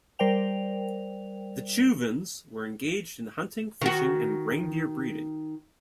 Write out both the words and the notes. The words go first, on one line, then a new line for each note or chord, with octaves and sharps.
The Chuvans were engaged in hunting, fishing and reindeer-breeding.
G3 A#4 C5 D5 G5 F7
D#3 F#4